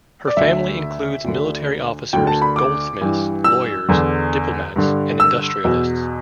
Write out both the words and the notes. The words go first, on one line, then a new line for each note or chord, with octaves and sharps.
Her family includes military officers, goldsmiths, lawyers, diplomats and industrialists.
D5
D2 D3 E5
D2 D3
D2 D3 G5
A5
B5
D6
G2 E3
E6
E2 D3
G2 D3
E6
E2 B2